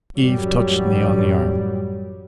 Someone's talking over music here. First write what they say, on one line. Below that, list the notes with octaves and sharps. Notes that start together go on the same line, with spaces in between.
Eve touched me on the arm.
A1 F#2 F#3 G3